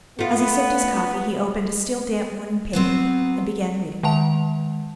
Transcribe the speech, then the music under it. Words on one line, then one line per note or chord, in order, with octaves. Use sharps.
As he sipped his coffee, he opened a still damp morning paper, and began reading it.
A3 B3 F4
F#3 B3 C4
D#3 G#3 F#5 A5 F7